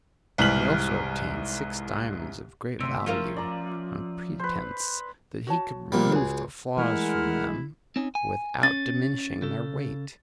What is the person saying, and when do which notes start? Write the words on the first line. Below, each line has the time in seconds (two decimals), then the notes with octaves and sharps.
He also obtained six diamonds of great value, on pretence that he could remove the flaws from them without diminishing their weight.
0.38 C2 G#2 E3 F6 B6 F#7
2.80 D2 C3 E5 C6
3.06 F3 C#4 F4 A#4
3.36 D5 A#5
4.39 B4 C5
5.47 F#4 C#5 A5
5.92 A#1 A#2 G3
6.12 C#2 F#4 G#4
6.77 E3 G#3 A3 E4 A#4 F#5 F6
7.96 C4 C#4 D#4
8.15 G#5
8.63 C#4 A6
9.42 C#3 A4